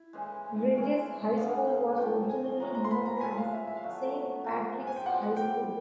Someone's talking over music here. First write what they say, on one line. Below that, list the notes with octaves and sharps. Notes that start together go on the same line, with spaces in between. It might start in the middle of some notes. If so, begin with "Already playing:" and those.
Regis High School was originally known as Saint Patrick's High School.
Already playing: E4
C#3 E3 G#3
E3 G#3 C#4 E4
G2 D3 G3 B3 F5
F#5
F5
G#5
F3 A3 C#4 G5
G#5
C3 F3 G#3 C#4 A#5
A#5
C6
B5
A#5
F#2 C#3 E3 G#3 G#5
F5
E5
E5
F5
B2 F#3 A3 E5
C#3 F3 G#3
G#5
G5
B2 G3 C4 F#5
G5